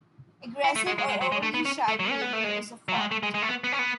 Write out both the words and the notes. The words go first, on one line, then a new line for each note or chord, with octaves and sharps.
Aggressive or overly shy behavior is a fault.
E4
A3
G#3
G#3
G#3
F#3
G#3
A3
B3
C#4
A3
F#3
C#4
B3
A3
G#3
F#3
A3
G#3
A3
G#3
G#3
A3
B3
B3
C#4
B3